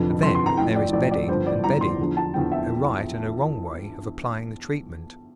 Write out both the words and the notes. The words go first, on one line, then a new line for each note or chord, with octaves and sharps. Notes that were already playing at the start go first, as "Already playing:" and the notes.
But then there is bedding and bedding--a right and a wrong way of applying the treatment.
Already playing: F1 F2 D3 F3
F1 F2 D3 F3 C6
C6
A#5
A1 A2 F3 G5
D5
A1 A2 F3 D5
D5
G1 G2 F3 C5
D5
G1 G2 F3 A#5
C6
E2 D3 F3
A5
E2 D3 F3 G5
E5